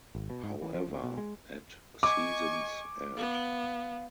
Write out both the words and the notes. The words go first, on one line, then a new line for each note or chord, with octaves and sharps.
However, at season's end.
G#1
B2
G#2
E3
F3
D2
B2
G#3
D#5 G#5 C#6 D6
B3 F5